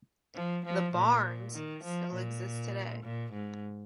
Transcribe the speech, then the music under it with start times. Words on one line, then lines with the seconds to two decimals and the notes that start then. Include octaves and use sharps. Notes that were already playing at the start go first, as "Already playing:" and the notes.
The "barns" still exist today.
0.35 F3
0.65 F3
0.94 A#2
1.54 D#3
1.84 F3
2.13 A#2
3.04 A#2
3.33 G#2